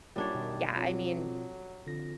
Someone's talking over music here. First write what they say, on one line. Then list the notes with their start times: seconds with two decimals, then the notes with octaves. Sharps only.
yeah, I mean,
0.16 F#2 A#2 G3 A#3 D4 D#4 C#5
0.34 B2 D#3
0.76 F2 F#3
1.87 F2 D3 A#6